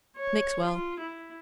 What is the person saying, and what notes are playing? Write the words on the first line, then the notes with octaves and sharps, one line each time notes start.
Mix well.
C#5
F4
E4